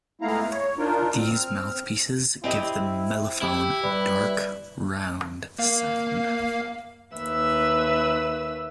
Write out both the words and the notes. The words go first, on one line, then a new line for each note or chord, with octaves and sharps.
These mouthpieces give the mellophone a dark, round sound.
G#3 A3 B3 E4 F5 A#5
C#5
D4 D#4 F4 A#4
C4 F6
C4 E4 G4 D#5
E4 G4
G3 B4
A#3 F5
D#2 B4 E5 E6